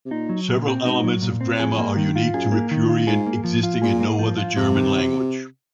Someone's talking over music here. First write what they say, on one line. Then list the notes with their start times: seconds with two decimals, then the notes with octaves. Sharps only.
Several elements of grammar are unique to Ripuarian, existing in no other German language.
0.05 C3
0.11 A#2 D#4
0.29 F#3
0.49 A#2
0.67 C4
0.85 G#2 D#4
1.04 F#3
1.22 A#2
1.41 C4
1.60 F2 G#4
1.78 A#3
1.97 D#3
2.16 F4
2.34 F#2 G#4
2.52 A#3
2.71 D#3
2.89 F4
3.07 G#2 G#4
3.26 A#3
3.44 F3
3.63 F4
3.82 A#2 G#4
4.01 A#3
4.19 F3
4.38 F4
4.57 F2 C3
4.75 D#3